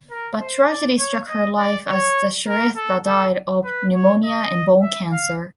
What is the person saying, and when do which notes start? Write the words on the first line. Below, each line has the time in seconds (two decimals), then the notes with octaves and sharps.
But tragedy struck her life as the Shrestha died of pneumonia and bone cancer.
0.11 A#4
0.40 C5
0.70 D5
0.99 C#5
1.28 D#5
1.58 D5
1.87 C#5
2.47 A#4
2.76 A4
3.06 A4
3.64 B4
3.94 C#5
4.24 D#5
4.82 E5
5.12 F5